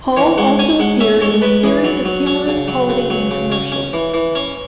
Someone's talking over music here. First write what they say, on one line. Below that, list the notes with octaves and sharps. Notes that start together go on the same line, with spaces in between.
Hall also appeared in a series of humorous Holiday Inn commercials.
E3 C#5
G#3 F#5
C#4 G#5
G#3 F#5
C#4 E5
G#3 C#5
G#3 B4
E3 G#4
F#3
F#3
C#4
C#3
F#3
C#3
F#3
C#3
C#4
C#4
E3
E3
C#4